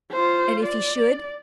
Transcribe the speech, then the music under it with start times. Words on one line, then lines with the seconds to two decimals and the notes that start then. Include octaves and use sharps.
"And if he should?"
0.11 F4 C5
0.64 D5